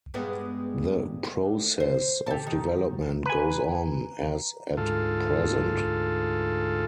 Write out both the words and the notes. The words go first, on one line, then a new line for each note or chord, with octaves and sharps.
The process of development goes on as at present.
G2 G#3 B3
D2
C5
G4 A4
D#3
B4 G#5 A#5
D2 G#2 F4 A4